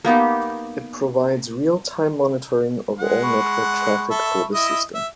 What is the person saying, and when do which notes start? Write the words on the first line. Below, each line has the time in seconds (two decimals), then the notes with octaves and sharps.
It provides real-time monitoring of all network traffic for the system.
0.05 A#3 B3 D#4 G4
2.99 G#3 F#5
3.22 B5 C#6
4.10 A4 E5
4.54 E4 D#5 E5
4.94 E5